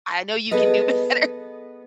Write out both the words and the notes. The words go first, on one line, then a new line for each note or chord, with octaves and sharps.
I know you can do better."
B3 G#4 A4 B4 D#5